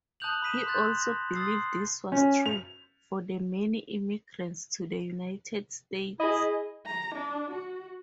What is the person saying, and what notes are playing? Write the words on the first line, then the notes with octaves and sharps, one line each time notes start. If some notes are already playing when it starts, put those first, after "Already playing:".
He also believed this was true for the many immigrants to the United States.
A5 D#6 F#6 G6 F7 F#7
B5 D#6 B6 D#7 E7
C6 F#6 G6 A6
A#6
C6 D#6 E6 A6 C7
C#4
F7
E4 G#4 D#5
A#5
D4
F#4